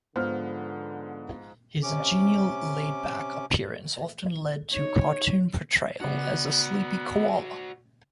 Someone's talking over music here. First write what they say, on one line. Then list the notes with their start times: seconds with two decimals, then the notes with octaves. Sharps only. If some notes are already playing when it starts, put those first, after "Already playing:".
His genial, laid-back appearance often led to cartoon portrayal as a sleepy koala.
0.16 G#2 D3 F3 B3 C5 F6
1.83 C3 C#4 D6
4.72 D#4 C#5
6.01 C#3 B3 D4 F#4 D5 F#5